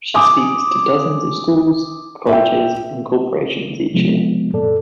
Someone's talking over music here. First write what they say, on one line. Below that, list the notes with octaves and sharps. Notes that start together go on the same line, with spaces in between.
She speaks to dozens of schools, colleges and corporations each year.
G#5 D6 D#6
E5 G5
C3 F3 G#3 B3
F#2 A#2 A4 D5